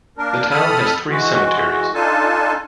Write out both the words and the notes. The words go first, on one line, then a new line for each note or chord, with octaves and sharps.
The town has three cemeteries.
A#3 D4 A#4
F2 A4 B5 D#6 F6
E3 G#3 F#4
D4 D#4 F4 A4 G#5 A5